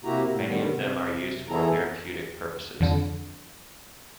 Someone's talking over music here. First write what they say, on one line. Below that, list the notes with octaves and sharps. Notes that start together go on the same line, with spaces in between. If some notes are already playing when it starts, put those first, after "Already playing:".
Many of them are used for therapeutic purposes.
C3 A#3 E4 F#4 G4 A#5
A2
D3 D#3 G3 B3
C3
E3 B3 E4 G#4 A4 A#5
F2 D3